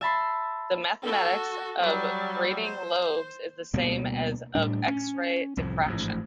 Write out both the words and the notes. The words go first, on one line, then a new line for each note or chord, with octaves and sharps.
The mathematics of grating lobes is the same as of X-ray diffraction.
E5 A5 B5 C6
F#4 A4
F#3 G3
C5
D2 B2 G3 A#3
A2 G3 D4
C#4
C2 F2 A2 F3
A1 G#2 F3